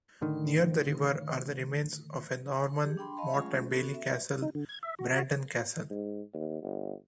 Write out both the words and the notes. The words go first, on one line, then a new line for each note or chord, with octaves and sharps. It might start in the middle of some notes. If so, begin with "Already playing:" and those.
Near the river are the remains of a Norman motte-and-bailey castle, Brandon Castle.
A2 D3 D#3
G4 G#4
D4 G5 B5 C6
D#5 F5 A5 B5
F#3 G#3 A3 C#4 F4 G#4
B3 C#4 F#4 A4
E5
D#4
D3
G#6
E5
F#4
F#4
G#2
D#2
G1